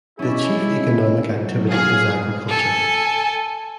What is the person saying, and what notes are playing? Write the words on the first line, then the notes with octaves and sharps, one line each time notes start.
The chief economic activity is agriculture.
C#4 D4 E4 G#4 C#5 D#5
F#3
G#4 F5
A4 G#5